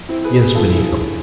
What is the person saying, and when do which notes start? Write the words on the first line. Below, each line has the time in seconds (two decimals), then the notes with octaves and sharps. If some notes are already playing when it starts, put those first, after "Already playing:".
"Yes, Benito."
Already playing: G#2 F3
0.09 C4 E4
0.24 G#4 B4
0.39 G#4 B4
0.55 E2 D3 F3 F4 A4
0.70 E4 G#4